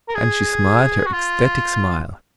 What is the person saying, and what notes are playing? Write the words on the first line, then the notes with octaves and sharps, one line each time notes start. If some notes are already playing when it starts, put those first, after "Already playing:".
And she smiled her ecstatic smile.
A#4
G#4
F#4
F4